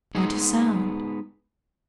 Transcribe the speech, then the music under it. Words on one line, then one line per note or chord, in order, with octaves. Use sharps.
Not a sound.
G#3 B3 D#4 G#4 D#5